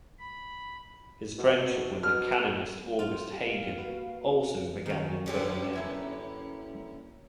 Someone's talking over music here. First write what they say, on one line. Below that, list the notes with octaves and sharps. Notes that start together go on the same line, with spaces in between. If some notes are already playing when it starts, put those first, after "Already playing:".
His friendship with the canonist August Hagen also began in Berlin.
B5
B2
B2 F6
F4
G4 F5
A#3 F#4 B4
D#3 C#4 G#5
F#2 D3 C#4 G4 B4
A#3 E4 G#5